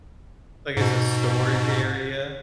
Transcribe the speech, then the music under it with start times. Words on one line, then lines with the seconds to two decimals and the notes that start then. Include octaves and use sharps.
Like, it's a storage area.
0.77 G#2 B2